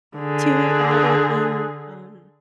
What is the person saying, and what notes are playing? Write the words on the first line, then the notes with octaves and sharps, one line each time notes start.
too, another thing, um,
D3 G#4